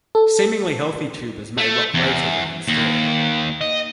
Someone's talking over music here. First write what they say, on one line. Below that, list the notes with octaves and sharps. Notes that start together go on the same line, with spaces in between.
Seemingly healthy tubers may rot later when in store.
A4
A3
E2
D#2
D#5